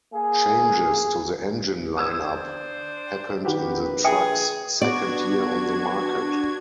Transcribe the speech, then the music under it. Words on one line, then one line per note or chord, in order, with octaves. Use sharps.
Changes to the engine lineup happened in the truck's second year on the market.
A#3 G#4
D4 C5 D#6 E6 G#6
A#1 D#3 F#4 G4 B4
G#4 E5 G5 G#5 D#6
B3 D4 F#4 D5 G#6